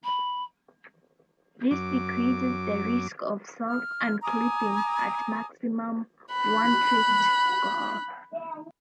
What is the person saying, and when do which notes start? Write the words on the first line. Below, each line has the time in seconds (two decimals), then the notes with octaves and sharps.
This decreases the risk of self-unclipping: at maximum, one twist goes off.
0.04 B5
1.71 F#2 D6
3.68 F6
4.23 G#5 A#5 D6 D#6
6.32 B5 F#6